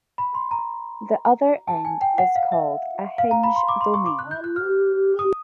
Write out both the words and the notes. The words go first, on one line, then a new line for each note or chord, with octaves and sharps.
The other end is called a hinge domain.
B5
C6
A#5
A5
G#5
G5
F#5
F5
E5
F5
A#5
B5
C6
D6
C6
C#6
D6
F#6
G6
F#6
F6
D#6